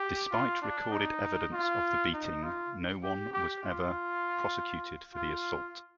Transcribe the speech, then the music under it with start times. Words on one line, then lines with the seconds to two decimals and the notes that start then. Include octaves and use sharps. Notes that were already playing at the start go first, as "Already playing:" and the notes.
Despite recorded evidence of the beating, no one was ever prosecuted for the assault.
Already playing: G4
0.32 F4
0.62 D4
0.92 D#4
1.53 F4
2.13 D#4
2.43 F4
3.03 G4
3.33 G4
3.63 F4
5.14 F4